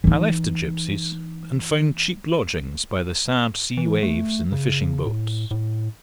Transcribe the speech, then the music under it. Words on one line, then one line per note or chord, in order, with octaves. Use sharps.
I left the Gipsies, and found cheap lodgings by the sad sea waves, in the fishing boats.
E3 D#4
E3
A3
C#3
A2
A2